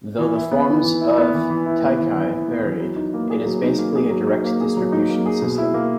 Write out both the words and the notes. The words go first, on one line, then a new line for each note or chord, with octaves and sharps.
Though the forms of teikei vary, it is basically a direct distribution system.
E3
E4
B3
E3
E3
E4
B3
E3
E3
E4
B3
E3
E3
E4
B3
E3
F#3
D#4
A#3
G#4
F#3
D#4
A#3
G#4
F#3
D#4
A#3
G#4
F#3
D#4
A#3
G#4
B2
E4
A#3